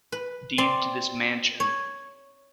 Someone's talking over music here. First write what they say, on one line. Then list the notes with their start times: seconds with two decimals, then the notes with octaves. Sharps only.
deed to this mansion."
0.12 B4
0.58 C4 D5 C6
1.60 C#5